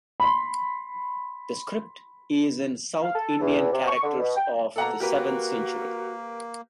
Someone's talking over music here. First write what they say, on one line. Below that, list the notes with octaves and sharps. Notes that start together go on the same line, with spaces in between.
The script is in south Indian characters of the seventh century.
B5 C6
F5
A4
E2
C3
C#6
D3
B2
G5
B2 A#3 A4 F#5 A#5
A#3 F#4 G4 A#4 B4